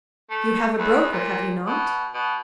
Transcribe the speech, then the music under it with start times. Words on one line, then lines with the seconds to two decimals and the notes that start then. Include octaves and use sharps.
"You have a broker, have you not?"
0.30 A3
0.78 E2
1.12 A#2
1.66 B2
2.14 B2